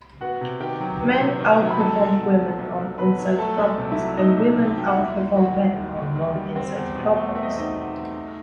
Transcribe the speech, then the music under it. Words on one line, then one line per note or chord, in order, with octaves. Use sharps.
Men outperformed women on insight problems, and women outperformed men on non-insight problems.
B3 F#4 F#5
C3
D#3 G4 G5
F#3
B3
C3
D#3
F#3
B5
C2 A4 A5
C2
B2
F#3
C2 A4 A5
C2
B2 B4 B5
F#3
A3 A4 A5
C2
C3
E4 E5
F#3
A3 D#4 D#5
C2
C3
A5
F#3 G5
F#5
D#2 E4 E5
D#2
D#3 F#4 F#5
G3
D#2
D#2
D#3
G3
C4
E2
B2
A3
C4 E5
D#5
C5
E2 D#4 D#5
B2
A3
D#4